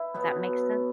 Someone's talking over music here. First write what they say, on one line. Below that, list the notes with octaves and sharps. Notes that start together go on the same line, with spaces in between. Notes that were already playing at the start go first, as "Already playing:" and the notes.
If that makes sense.
Already playing: E4 B4
B2 F#3 B3